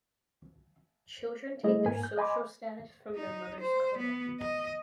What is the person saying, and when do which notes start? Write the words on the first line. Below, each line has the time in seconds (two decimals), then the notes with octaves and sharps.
Children take their social status from their mother's clan.
1.63 G3 A3 E4 G#4 D#5
1.86 G#2 A#3 A#4 G#5
2.03 G6
2.18 D#5 G#5 B5 C6 D6
3.15 D#4
3.61 C5
3.98 B3
4.40 D#5